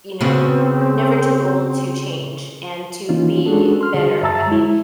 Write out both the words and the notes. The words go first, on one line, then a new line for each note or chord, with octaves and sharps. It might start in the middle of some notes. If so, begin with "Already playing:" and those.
you know, y never too old to change, and to be better, I mean,
C#3 B3 C4 F#4
E3 A#3 C#4 D#4 F4
G#3 C#4 D4 F#4 G#4 A4
C6 F6
D3 G3 F#4 G#4
F#2 E5 A5 A#5 E6 A6
G#3 E4